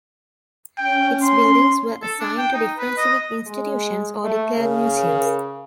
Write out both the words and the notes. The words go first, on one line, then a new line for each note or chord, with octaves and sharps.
Its buildings were assigned to different civic institutions or declared museums.
C#4 G5
C6
A4
D4
G5
D#4
B4
D#5
G#3
A3
C#3 A#4